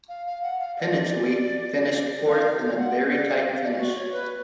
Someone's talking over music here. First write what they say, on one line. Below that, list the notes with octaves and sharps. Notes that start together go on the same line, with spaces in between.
Penicuik finished fourth in a very tight finish.
F5
F5
F#5
F5
F5
D5
F5
F5
F5
F#5
D5
F5
F5
D5
F#4
C#5
B4